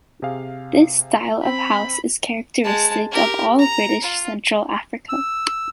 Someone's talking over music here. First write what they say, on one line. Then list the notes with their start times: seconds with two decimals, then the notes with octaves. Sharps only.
This style of house is characteristic of all British Central Africa.
0.22 C3 G#4 F5
1.45 C4 B5
2.64 G#3 A5
3.11 G4 A#4
3.59 A#5
4.03 F4
5.09 E6